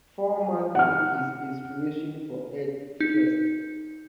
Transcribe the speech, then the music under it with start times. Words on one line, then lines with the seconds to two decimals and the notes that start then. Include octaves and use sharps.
Foreman took his inspiration for Earth First!
0.75 F#5 F6
3.00 D#4